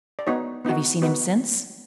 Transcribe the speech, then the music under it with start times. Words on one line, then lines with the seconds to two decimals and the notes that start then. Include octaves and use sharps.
"Have you seen him since?"
0.19 D5
0.27 B3 D#4 F#4 C#5
0.65 B3 D#4 F#4
1.02 B3 D#4 F#4 B4